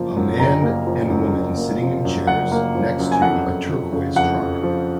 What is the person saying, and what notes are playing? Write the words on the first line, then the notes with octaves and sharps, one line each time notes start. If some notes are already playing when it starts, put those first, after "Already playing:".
A man and woman sitting in chairs next to a turquoise truck.
Already playing: F#1 F3 A#3
F#2
F#1 A#5
A#3
F3
F#2
F#1
A#3
F3
F#2
F#1 F#5
A#3
F3
F#2
G#5
F2 F#5
F2
F3
C#3
F2 F#5
F2
F3